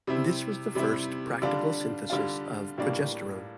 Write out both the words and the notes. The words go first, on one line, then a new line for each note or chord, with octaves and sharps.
This was the first practical synthesis of progesterone.
C3 G3 C4 E4
C3 G3 C4 E4
D3 G3 D4 F4
D3 G3 D4 F4
A2 G3 A#3 D4 F4